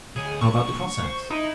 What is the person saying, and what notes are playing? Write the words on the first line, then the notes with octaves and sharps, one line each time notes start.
"How about the Cossacks?"
D2 G#4 C#5
A#3 D4 C#6
C5
D#4 E4